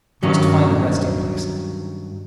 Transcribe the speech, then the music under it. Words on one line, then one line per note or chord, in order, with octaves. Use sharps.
I must find a resting place.
G2 D#3 F#3 C#4 D#4